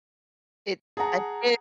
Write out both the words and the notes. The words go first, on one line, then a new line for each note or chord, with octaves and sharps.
It I did
G#4 F#5 A5 A#5